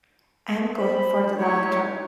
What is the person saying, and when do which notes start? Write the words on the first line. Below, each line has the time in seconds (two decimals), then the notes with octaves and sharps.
I'm going for the doctor.
0.78 C5 B5
1.37 G#3 A3 D#4 E4 G4 C#5